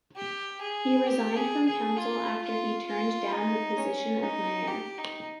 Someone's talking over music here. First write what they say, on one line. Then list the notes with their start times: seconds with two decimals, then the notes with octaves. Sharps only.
He resigned from council after he turned down the position of mayor.
0.16 G4
0.61 G#4
1.06 G4
1.36 G#4
1.66 G#4
1.97 F4
2.42 F4
2.87 F4
3.32 D#4
3.77 C#4
4.22 D#4
4.67 G4
4.98 D#4